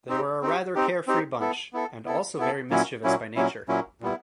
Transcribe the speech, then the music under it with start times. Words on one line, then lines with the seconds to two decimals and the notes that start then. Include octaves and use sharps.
They were a rather carefree bunch, and also very mischievous by nature.
0.09 C4 D#4 G4
0.42 C4 D#4 G4
0.75 C4 D#4 G4
1.07 C4 D#4 G4
1.40 B3 E4 A4
1.73 B3 E4 A4
2.06 B3 E4 A4
2.38 B3 E4 A4
2.70 A#2 F#3 A#3 C#4 E4
3.04 A#2 F#3 A#3 C#4 E4
3.35 A#2 F#3 A#3 C#4 E4
3.68 A#2 F#3 A#3 C#4 E4
4.01 A#2 G3 B3 E4